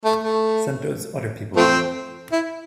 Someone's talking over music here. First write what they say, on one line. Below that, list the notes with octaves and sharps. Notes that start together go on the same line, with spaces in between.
Send those other people in.
A3
A3
F3 A3 C4
E4